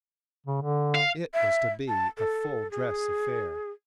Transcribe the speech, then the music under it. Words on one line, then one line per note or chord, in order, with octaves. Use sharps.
It was to be a full-dress affair.
C#3
D3
F5
E5
A5
A4
G#4